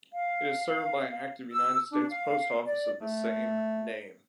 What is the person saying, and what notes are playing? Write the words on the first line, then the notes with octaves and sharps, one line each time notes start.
It is served by an active United States post office of the same name.
F5
E6
D4
F5
D5
A3